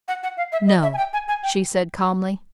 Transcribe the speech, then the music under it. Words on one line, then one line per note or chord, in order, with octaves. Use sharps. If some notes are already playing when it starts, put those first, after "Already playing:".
"No," she said, calmly.
F#5
F#5
F5
E5
D#5
E5
G#5
G5
G#5
G#5
G5